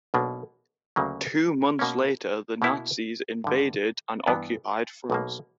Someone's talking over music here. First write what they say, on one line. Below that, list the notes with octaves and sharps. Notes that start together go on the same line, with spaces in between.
Two months later the Nazis invaded and occupied France.
B1 B2 A#3 D4
D2 C#3 F#3 A#3
B2 A#3 C#4
B2 A#3 E4
G2 D3 G3
G2 E3 B3 D4
B1 B2 A#3